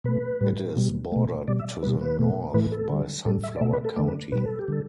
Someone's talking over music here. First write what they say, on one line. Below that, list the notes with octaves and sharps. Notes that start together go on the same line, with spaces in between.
It is bordered to the north by Sunflower County.
B2 A3 B4
A2 G3
B2 G3
B2 A3
B2 G3 D5
E5
D5
B2 G3 B4
B4
B2 A3
A2 E3 A3 B4
A4
D3 G3
A2 G3 A4
E5
D5
B2 A3 E5
B4
A4
D3 A3 D5
B4
B2 G3 B4
A4
G4
D3 G3 A4